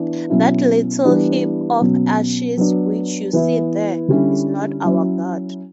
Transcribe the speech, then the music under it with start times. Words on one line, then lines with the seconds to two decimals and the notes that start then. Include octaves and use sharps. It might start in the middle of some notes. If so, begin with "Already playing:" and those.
That little heap of ashes which you see there is not our god.
Already playing: E3 B3 D4
0.30 B2 F#3 C#4 E4
1.05 E3 G3 B3 D4
1.81 B2 F#3 C#4
2.57 F#3 B3 D4
3.33 E3 B3 E4
4.08 D3 G3 C#4 E4
4.84 F#3 C#4 E4